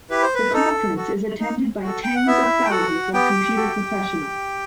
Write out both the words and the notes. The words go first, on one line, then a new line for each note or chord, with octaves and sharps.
The conference is attended by tens of thousands of computer professionals.
E4 G4 B4
C5
B4
D#4 A4
F#4 A4
D#4
F#4 A4
G5
F#5
B3 E4 E5
G5
F#4 A4 F#5
B3 G4 G5
F#4 A4